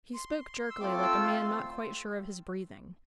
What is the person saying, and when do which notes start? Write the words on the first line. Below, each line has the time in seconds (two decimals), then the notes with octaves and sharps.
He spoke jerkily, like a man not quite sure of his breathing.
0.14 C6
0.70 E6
0.80 A3 C4 F4 A4 D6
1.02 E6
1.24 C6